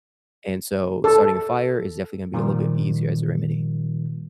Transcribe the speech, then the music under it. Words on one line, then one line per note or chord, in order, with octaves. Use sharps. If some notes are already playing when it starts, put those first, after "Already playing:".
And so, starting a fire is definitely gonna be a little bit easier as a remedy.
A4
A#2 D#3 F3 G3